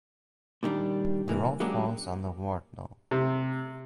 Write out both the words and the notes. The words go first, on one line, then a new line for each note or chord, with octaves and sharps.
The road falls under Ward no.
A#2 D#3 G3 D4
C2 E3 A#3
F#3 G#3 A#3 C#4 D4 G4
C3